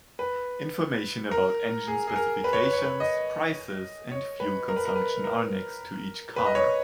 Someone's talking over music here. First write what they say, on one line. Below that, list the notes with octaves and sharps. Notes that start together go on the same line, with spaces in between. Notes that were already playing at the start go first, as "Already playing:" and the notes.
Information about engine specifications, prices and fuel consumption are next to each car.
B4
A#4
G#4
G#4
A#4
B4
C#5
B4
C#5
B4
D#5
C#5
B4
A#4
B4
A#4
B4
A#4
B4
D#5
C#5